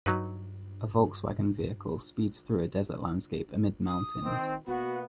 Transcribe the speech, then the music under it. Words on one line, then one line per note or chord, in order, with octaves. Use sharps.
A Volkswagen vehicle speeds through a desert landscape amid mountains.
G2 F#3 D#4 B4
D#6
D#3 C4
B2 A#3 B3 F#4